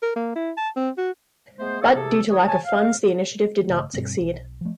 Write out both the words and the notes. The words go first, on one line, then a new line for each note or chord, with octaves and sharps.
But, due to lack of funds, the initiative did not succeed.
A#4
A#3
E4
A5
C4
F#4
G#3 A3 B3 C5
D#3 A#3 G#4 A4 C#5 D#6
E2 C3 G#4 A4
D#3 C#5 D#6
C#5 G#5 A5
F5
G1 C#3 A3
G2 B2 G3 C4
B1
F3 A3